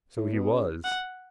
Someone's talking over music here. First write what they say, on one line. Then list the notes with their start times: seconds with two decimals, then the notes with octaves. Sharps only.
So he was.
0.17 A2
0.34 B2
0.51 C#3
0.84 F#5